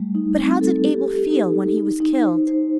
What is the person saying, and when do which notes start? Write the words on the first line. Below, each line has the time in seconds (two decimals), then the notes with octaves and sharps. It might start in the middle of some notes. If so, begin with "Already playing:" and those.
But how did Abel feel when he was killed?
Already playing: G3 A3
0.15 D#4
0.38 C4
0.61 A4
0.84 G4
1.08 G4
1.31 D#4
1.54 D#4
1.77 D#4
2.00 D#4
2.23 C5
2.47 C5